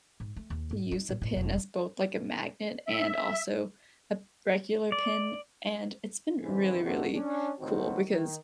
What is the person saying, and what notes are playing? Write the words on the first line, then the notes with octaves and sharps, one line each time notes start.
you use a pin as both like a magnet and also a regular pin. And it's been really, really cool because,
G#2
A3
D#2
G#2
D#4
A2
A2
E1
E5
D5
G#2 D3 E3 C4 E4
G#1 F2 A2 C3 A3 F#4
C#4 D4
C#2 A2 D#3 C4 F#4
D#3